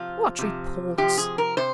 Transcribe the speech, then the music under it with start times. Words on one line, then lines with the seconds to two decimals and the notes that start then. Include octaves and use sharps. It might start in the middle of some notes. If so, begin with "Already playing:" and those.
"What reports?"
Already playing: C3 F3 F4
0.39 C3 F3
0.98 C3 F3 G4
1.18 G#4
1.38 A#4
1.57 C3 C5